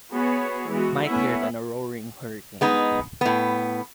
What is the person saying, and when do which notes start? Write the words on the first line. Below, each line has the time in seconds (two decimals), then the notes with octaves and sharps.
Mightier than a roaring hurricane!
0.11 B3 F#4 G#4 C#5
0.69 E3 G#3 B3 F#4
1.04 A3 B3 C#4 E4 E5 F#5
2.61 G#3 B3 D#4
3.21 A2 B3